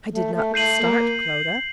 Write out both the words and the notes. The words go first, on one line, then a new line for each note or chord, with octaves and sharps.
I did not start, Clodagh!
A3
A3
A3 G6 C7 D#7 F#7
A#3